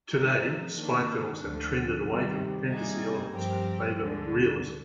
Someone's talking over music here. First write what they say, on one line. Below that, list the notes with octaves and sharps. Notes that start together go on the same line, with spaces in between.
Today, spy films have trended away from fantasy elements in favor of realism.
F3 G#3 D#4
D#3 A#3 D4
D2 D3 F3
C3 D#3 G3
C3 G3 A#3 D#4 G#4
G2 F3 C4 G4 A#4
D2 D3 G#3